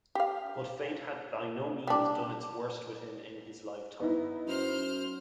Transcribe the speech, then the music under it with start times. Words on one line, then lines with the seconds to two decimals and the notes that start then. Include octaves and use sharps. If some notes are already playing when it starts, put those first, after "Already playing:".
But fate had by no means done its worst with him in his lifetime.
0.15 G4 F5
1.87 G3 D4
4.00 B3 D#4 E4
4.47 F#2 C5 F6